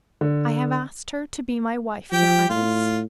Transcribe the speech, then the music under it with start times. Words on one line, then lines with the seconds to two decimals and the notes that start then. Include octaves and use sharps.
"I have asked her to be my wife, your highness."
0.21 D3
2.12 F3 G4 G5
2.50 A2 F4